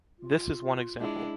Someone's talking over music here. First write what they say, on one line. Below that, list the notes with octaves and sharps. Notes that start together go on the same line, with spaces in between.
This is one example.
F4
G#3 D4 E4